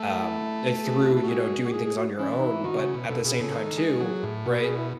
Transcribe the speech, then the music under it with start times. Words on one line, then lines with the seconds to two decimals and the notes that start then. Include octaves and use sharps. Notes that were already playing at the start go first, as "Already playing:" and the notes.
um, if through, you know, doing things on your own, but at the same time too, right?
Already playing: A3
0.15 E4
0.83 G#4
0.96 F#4
1.09 E4
1.17 A3
1.22 F#4
1.28 G#3
1.64 F#4
1.73 G#3 G#4
1.84 G#4
1.97 F#4
2.19 E3 C#4
2.39 D#4
2.49 E4
2.64 D#3 F#4
2.79 C#3
2.94 B2
3.09 B2 A4
3.24 B2 G#4
3.39 C#3 A4
3.55 D#3
3.78 G#3
4.00 F#3 G#4
4.23 A2
4.46 B2 F#4
4.61 G#4
4.76 E4